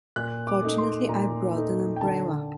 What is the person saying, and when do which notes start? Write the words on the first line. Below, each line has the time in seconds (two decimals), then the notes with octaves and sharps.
Fortunately I brought an umbrella.
0.16 A#2 F#6
0.47 D6
0.62 A3 D#4
0.78 C6
1.09 A#2 A#5
1.55 A3 D#4
1.96 G5
2.01 D3 A5